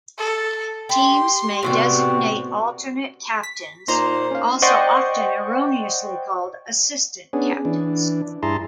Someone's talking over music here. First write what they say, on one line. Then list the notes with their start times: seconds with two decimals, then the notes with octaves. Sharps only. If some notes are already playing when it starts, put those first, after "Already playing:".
Teams may designate alternate captains, also often erroneously called "assistant captains".
0.18 A4
0.89 G4 C6
1.63 A2 C3 B3 C4 F#4 D5
3.43 B6
3.88 A#2 D#4 C5 A#5 C6
4.31 C#4 F5
4.62 C5 D5 D#5 F#5 G5 C#6
7.33 B3 C#4 D4 G#4
7.65 E3 D4
8.43 G2 E4 G#4 A5 A#5 C6